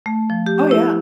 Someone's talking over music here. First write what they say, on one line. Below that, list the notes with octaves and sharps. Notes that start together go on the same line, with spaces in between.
Oh, yeah.
A3
F3
G4
E4